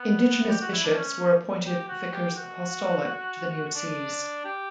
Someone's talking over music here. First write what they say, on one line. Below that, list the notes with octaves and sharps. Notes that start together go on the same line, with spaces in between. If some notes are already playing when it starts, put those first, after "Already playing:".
Indigenous bishops were appointed Vicars Apostolic to the new Sees.
Already playing: B3
G4
F#4
E4
D4
C#4
G4
F#4
G4
F#4
D4
G4